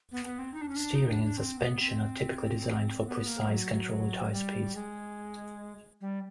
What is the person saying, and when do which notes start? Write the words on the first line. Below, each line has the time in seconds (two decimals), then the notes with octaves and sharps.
Steering and suspension are typically designed for precise control at high speeds.
0.12 B3
0.26 B3
0.39 C4
0.54 D#4
0.61 D4
0.69 C#4
0.76 D4
0.95 D#4
1.10 D4
1.23 D4
1.37 C4
1.59 B3
1.80 C4
3.07 B3
3.27 A#3
3.49 F#3
4.32 G3
4.75 G#3
6.01 G3